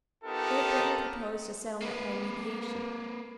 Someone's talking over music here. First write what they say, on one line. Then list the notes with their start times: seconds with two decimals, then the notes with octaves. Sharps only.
Great Britain proposed a settlement by mediation.
0.24 B3 D#4 F4 G4 A4 A#4
1.82 A#3 B4